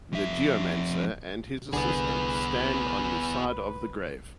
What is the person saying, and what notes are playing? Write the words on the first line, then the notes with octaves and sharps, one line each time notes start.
The geomancer and his assistants stand on the side of the grave.
F2 E5
C2 D3 B3 G#4 B4